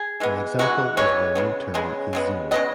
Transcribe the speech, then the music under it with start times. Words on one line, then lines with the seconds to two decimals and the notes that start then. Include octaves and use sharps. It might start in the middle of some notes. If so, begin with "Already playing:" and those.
An example is where no term is zero.
Already playing: G#4
0.20 E3 G#3 B3
0.59 E3 G#3 B3 F#4
0.97 E3 G#3 B3 C#5
1.35 C#3 G#3 B3
1.74 C#3 G#3 B3
2.13 C#3 G#3 B3
2.51 C#3 G#3 B3 D#5